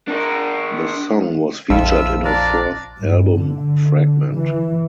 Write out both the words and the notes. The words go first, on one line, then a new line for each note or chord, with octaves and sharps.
The song was featured in her fourth album "Fragment".
D4 A#4
A#1 F2 F4 E5 E6
D4 F4 D5 A#5
G2
D3
E3